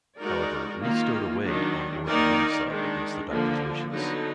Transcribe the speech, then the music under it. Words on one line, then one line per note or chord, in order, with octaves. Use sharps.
However, Ruth stowed away on board the mini-sub against the Doctor's wishes.
G#3 D#4 F#4 A#4 D5
D#3 A#3 F4
D#3 F#3 D4
D#3 A#3 D#4 A#4 D5
D#3 G#3 D4
D3 F3 A#3
D3 F#3 B3 D#4